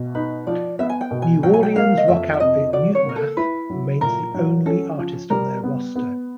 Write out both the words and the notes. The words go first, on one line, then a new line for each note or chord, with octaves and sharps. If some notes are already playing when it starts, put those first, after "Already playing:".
New Orleans rock outfit Mutemath remains the only artist on their roster.
Already playing: B2
D#4 B4
F3 D5
B3 E5
G#5
G5
B2
G#5
F#3 G5
G#5
G5
A#3 F5
D#5
F2 E5
E5
C3 D#5
F#4 D5
C#5
A#3 A#4
A4
E4 B4
F#3
A#2 A#4
F#3
C#4 A4
F3
G3 A#4
B3
B3